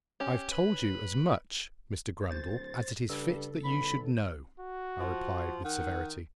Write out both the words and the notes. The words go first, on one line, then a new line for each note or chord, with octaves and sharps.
"I've told you as much, Mr Grundle, as it is fit that you should know," I replied, with severity.
C#4 G4
B4
D1 C5 A6
G2 C#3 A4
B1 B5
F#4
F3
D#3 F#5